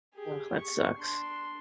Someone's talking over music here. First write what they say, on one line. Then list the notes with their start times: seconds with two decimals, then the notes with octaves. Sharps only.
Ugh, that sucks,
0.14 G4 G#4
0.55 C#6
0.98 D4 C6